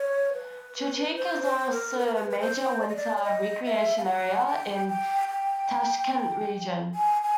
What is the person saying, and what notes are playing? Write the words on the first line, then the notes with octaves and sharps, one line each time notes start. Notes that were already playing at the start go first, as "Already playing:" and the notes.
Chirchiq is also a major winter recreation area in Tashkent Region.
Already playing: C#5
B4
C5
C5
A#4
B4
A#4
B4
B4
C5
D5
D#5
D5
D5
D#5
E5
F5
F#5
G5
G5
G5
G#5
G#5